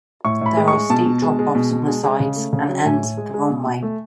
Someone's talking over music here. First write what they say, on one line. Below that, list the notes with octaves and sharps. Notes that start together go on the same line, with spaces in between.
There are steep dropoffs on the sides and ends of the runway.
A2 C#6
A2 B5
G#3
C#6
G#3
B2 A5
B2
G#3
G#3
B2
B2
G#3
G#3
C#3
A3
C#3
F#3
A2 G#5
A2
G#3
G#3
B2
B2
A3